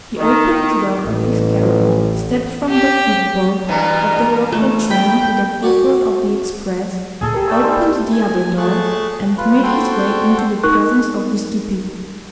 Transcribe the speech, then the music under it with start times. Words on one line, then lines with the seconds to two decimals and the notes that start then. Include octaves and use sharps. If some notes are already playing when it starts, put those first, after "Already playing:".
He opened the door of his carriage, stepped from the footboard of the local train to the footboard of the express, opened the other door, and made his way into the presence of these two people.
0.18 D#3
1.06 A1
2.69 G4
3.68 G2 B2 E3 A#4
4.52 A3
4.91 G5 B5
5.63 F#4 D5 F#5 G#5
7.21 D2 A#2 G#4 A4
7.34 G4 A#4
7.48 G3 A3 E6
7.62 D#4 C5
8.12 G#5
8.58 A3 G#4 A5 C#6 F#6
9.38 F4 B4
9.63 F#4 A4 C5 G5
10.63 D#4 A#4 C#6 F#6